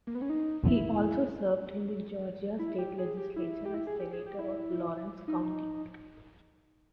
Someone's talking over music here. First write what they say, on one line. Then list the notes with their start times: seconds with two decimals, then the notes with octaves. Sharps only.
He also served in the Georgia state legislature as Senator of Laurens County.
0.07 A#3
0.15 B3
0.22 C#4
0.30 D#4
0.67 E4
2.59 E4
2.78 G4
2.98 G#4
3.17 G4
3.36 E4
3.65 G4
3.74 E4
3.87 G#4
3.99 G4
4.13 G#4
4.26 G4
4.39 E4
5.28 D#4